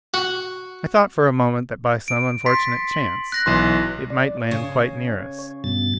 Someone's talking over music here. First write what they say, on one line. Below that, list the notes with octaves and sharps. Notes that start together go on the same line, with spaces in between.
I thought for a moment that by some unfortunate chance it might land quite near us.
F#4
D7
C6 A6 B6
F#7
F#6 A#6 F#7
B1 E3 C6
D5
C#3 C#5
G2 B2 A6